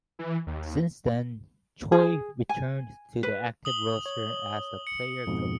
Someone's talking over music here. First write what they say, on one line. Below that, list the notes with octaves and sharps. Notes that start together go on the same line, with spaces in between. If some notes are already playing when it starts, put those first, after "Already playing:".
Since then, Choi returned to the active roster as a "player coach".
E3
D#2
G#4
G#5
B4
D#6 F#7 G7
C#5
C#7
F2 G#2 B2